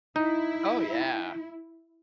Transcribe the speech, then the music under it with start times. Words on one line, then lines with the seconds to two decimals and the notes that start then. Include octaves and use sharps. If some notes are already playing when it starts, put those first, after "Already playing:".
Oh, yeah.
0.16 D#4 E4